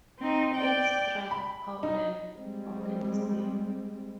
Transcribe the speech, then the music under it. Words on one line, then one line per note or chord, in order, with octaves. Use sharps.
It struck Pawalan on the next day.
C4 D#4
D5 G5
B5
D#4
G3 G#3 C4